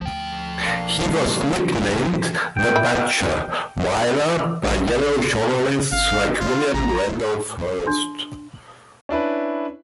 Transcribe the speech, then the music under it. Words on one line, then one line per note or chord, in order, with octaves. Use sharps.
He was nicknamed "the Butcher" Weyler by yellow journalists like William Randolph Hearst.
D2 F3 G5
B1 A#3 D4 F5
G3 A3
G5
E4
A#1
G#1 F5
F4
A1 A#5
D4 C6
C#4 D4 E4 B4